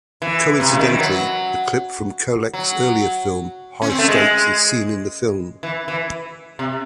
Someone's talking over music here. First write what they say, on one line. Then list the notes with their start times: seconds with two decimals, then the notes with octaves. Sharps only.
Coincidentally, a clip from Kollek's earlier film, "High Stakes", is seen in the film.
0.22 E3
0.60 C3
0.69 C#3
0.79 D#3
0.89 E3
0.99 F#3
2.53 F#3
3.82 C#4
3.90 C4
3.99 A3
4.08 G#3
5.63 E3
5.88 E3
6.59 C3